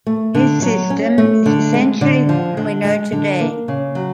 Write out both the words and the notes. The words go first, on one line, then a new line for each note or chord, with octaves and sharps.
His system is essentially the one we know today.
A3
D3
F#3
C#4
A3
D3
G#3
D3
F3
D3
G#3
D3
A#3
C#3
F#3